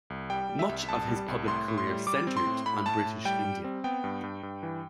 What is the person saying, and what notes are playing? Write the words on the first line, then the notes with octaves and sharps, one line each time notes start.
Much of his public career centred on British India.
C2
G3 G5
G3
E5
C2
C2 A5
G3
C2
A2 C6
A2
C6
G3
G3 D6
C4
C6
A2
A2 B5
A2 A5
A2
G3 G5
G3
C4
B3 G5
G2
G2
G2
E3